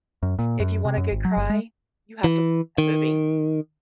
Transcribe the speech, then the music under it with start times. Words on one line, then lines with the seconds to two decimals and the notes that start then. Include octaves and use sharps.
if you want a good cry, you have to that movie.
0.23 F#2
0.39 A#2
0.60 F#2
0.85 C3
0.97 F#2
1.11 G#1
1.25 F#3
1.37 G1
1.50 G#3
2.24 E3
2.78 D#3